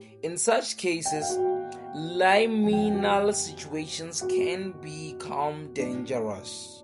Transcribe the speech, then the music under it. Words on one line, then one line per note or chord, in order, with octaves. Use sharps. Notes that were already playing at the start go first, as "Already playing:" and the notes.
In such cases, liminal situations can become dangerous.
Already playing: A2 G4
G5
F#5
F5
F#4 F#5
F2 C#3 F3 G#5
G5
F#5
G4 G5
F#4 F#5
A2 F#3 D4 D5